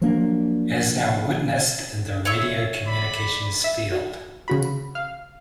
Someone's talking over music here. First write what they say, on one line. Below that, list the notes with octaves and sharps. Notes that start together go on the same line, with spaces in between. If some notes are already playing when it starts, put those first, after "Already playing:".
As now witnessed in the "radio communications" field.
F3 F#3 A#3 D4
C#5 E5 E6
D5 B5
E5
F#4
C#3 F#4 B5
F5